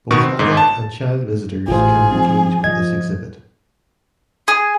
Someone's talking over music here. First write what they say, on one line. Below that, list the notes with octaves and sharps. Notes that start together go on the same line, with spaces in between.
Both adult and child visitors can engage with this exhibit.
B2 D#3 B3 C#6
C4
G1 G#2
A5
A1 A2 F4 G#4 C5
F3 C4
F3 D#5 G#6
G#4